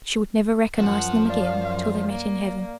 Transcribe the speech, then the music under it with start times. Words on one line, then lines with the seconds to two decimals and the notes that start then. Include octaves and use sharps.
She would never recognise them again, till they met in Heaven.
0.79 F#2 F3 F#5
1.30 D5 F5
2.09 A#3